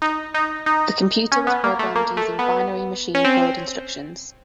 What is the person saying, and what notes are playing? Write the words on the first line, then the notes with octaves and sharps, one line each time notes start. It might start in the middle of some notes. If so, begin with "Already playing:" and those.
The computer was programmed using binary machine code instructions.
D#4
D#4
D#4
C#4
B3
A#3
A3
A#3
A3
B3
C#4
C4